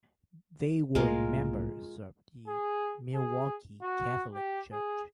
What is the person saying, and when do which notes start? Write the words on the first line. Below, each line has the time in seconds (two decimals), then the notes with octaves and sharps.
They were members of the Milwaukee Catholic Church.
0.95 C2 A2 G#3 A#3 F4 A#4
2.47 G#4
3.14 G#4
3.82 F#4
4.33 G4
4.72 G#4